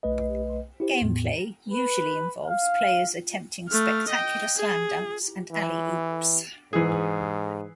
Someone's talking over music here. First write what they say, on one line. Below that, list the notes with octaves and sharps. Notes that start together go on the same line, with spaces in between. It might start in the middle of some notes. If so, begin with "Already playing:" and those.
Gameplay usually involves players attempting spectacular slam dunks and alley oops.
B1 A3 B4 D#5
E4 G4 C5
E2 A2 B3
B4
F5
A3 F6
D#5 G5
G#4
E3
G#2 E3 G#4